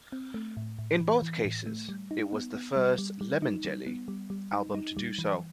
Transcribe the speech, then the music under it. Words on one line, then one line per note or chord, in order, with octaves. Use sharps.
In both cases, it was the first "Lemon Jelly" album to do so.
C4
A3
A2
A2
E3
E3
A2
A3
G3
D#4
B3
B3
G3
G3
G3
D#4
G3
B3
G3
G3
D#4
D#4
G3
E3